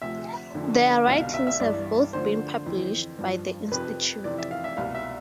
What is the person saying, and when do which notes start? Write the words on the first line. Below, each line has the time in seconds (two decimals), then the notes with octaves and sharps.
Their writings have both been published by the Institute.
0.02 D2 C3 F3 E5
0.54 F2 D3 F3
1.07 C2 B2 F5
1.21 F5
1.34 E5
1.47 E5
1.60 G2 E3 D5
2.13 D2 D3 F3 C5
2.66 F2 E3
3.18 G2 F3
3.71 F2 C3 F3 B4
4.24 F2 C3 E3 D5
4.38 E5
4.51 F5
4.64 E5
4.77 C2 B2 F5
4.95 E5